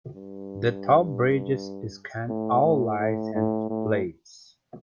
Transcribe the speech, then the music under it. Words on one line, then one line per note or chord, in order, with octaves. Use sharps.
The toll bridges scan all license plates.
G2
A2
A2
A2
A2
A2